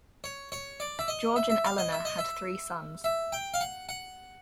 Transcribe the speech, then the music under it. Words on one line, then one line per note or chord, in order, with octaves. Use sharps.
George and Eleanor had three sons.
C#5
C#5
D5
E5
D#5
E5
E5
F5
D#5
E5
D#5
E5
E5
G5
F5
F#5
F#5